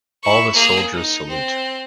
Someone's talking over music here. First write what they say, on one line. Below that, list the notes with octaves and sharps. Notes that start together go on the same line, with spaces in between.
All the soldiers salute.
E4 C#6
A#3 G#4
D#4
C4